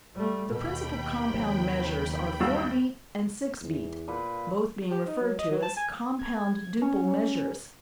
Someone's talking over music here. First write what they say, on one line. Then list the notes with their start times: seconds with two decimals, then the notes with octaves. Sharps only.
The principal compound measures are four-beat and six-beat, both being referred to as compound-duple measures.
0.14 G3 A3
0.48 D#2 B2 G5 B5
1.29 C3 F#3
2.40 G2 F#4 E6
3.61 E2
4.08 A#2 B4 F#5
4.91 G4
5.06 D#4
5.20 F#3
5.39 D#5
5.50 F#3
5.63 A5
5.77 G#5
6.19 G#6
6.82 C#4